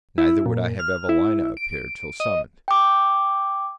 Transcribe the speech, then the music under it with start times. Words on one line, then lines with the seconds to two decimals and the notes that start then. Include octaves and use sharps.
Neither would I have Evelina appear till summoned.
0.18 E4
0.46 A#2
0.79 F6
1.09 E4
1.57 D7
2.20 D#5
2.68 G5 D6